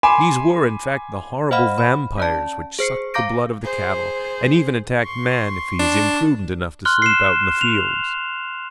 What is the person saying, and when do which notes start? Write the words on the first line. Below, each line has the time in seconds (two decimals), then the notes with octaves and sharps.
These were, in fact, the horrible vampires which suck the blood of the cattle, and even attack man if he is imprudent enough to sleep out in the fields.
0.03 G#5 B5 C6 D6 E7
1.51 C5 D#5 F5 F#5 B5 F6
1.78 B5
2.18 C#4 D5 A5
2.79 G#4 C5 C7 C#7
3.14 F5 A#5 D6 G6 A#6 D7
3.63 G#4 C5
5.03 C6 C#6
5.79 D4
6.85 C6 F6 F#6 G7
7.02 C7 E7
7.61 F7